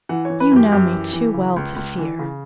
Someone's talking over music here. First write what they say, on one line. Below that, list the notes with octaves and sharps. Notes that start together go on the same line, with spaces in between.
'You know me too well to fear.'
E3 F#5
E3 C#5
B4
F#2 G4
F#2 G4
E3
E3
C#3
C#2
C#2
E3
C#3